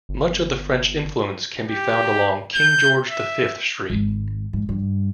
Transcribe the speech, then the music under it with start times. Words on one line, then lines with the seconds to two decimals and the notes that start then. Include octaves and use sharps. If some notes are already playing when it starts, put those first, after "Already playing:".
Much of the French influence can be found along King George the Fifth Street.
0.09 G1
1.70 G4
2.54 G6
3.10 E5
3.90 G#1 G#3
4.53 G#2
4.69 G2